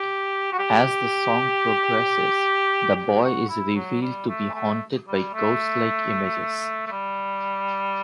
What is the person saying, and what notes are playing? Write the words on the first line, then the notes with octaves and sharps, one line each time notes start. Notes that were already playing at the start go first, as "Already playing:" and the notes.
As the song progresses, the boy is revealed to be haunted by ghost-like images.
Already playing: G4
F#4
G4
G4
F#4
E4
F#3
G3
A3
A3
G3
A3
A3
G3